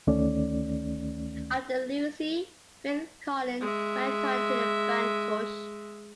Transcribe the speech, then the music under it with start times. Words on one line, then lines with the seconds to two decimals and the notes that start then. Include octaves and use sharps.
After Lucy, Phil Collen went on to the band Tush.
0.07 D2 D#3 A3 C#4 D5
3.61 G#3 E5